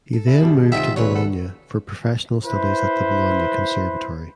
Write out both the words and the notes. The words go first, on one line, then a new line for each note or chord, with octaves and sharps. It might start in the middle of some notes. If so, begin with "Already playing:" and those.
He then moved to Bologna for professional studies at the Bologna Conservatory.
A4
C2 E4
G#2 B2 D#3 G3 D4
C#2 C3 D#4 F4 E5 F#5
A#2 C#3 F#3 B4 C#5
A4 F#5
E4 B4 C5